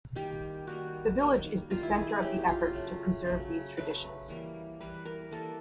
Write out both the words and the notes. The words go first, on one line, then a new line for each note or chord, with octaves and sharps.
The village is the center of the effort to preserve these traditions.
D#3 G3 A#3 G4
D#3 G3 A#3 F#4
D#3 G3 A#3
D#3 G3 A#3 F4
E4
G#4
G#4
C#3 F#3 A3 G4
F4
C#3 F#3 A3
C#3 F#3 A3
C#3 F#3 A3 B4
E3 G3 A#3
E3 G3 A#3 B4
A#4
E3 G3 A#3 A4